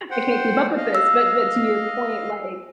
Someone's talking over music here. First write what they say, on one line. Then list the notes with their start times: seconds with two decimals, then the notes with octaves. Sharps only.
I can't keep up with this. But but to your point, like,
0.11 C5 F#5 G5
0.77 D#5 F5
0.95 E6